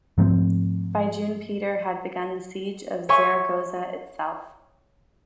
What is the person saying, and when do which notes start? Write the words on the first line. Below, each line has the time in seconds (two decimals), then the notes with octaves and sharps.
By June Peter had begun the siege of Zaragoza itself.
0.18 G#2 F3 A3 C4
3.09 C#5 E5 G#5 C6 C#6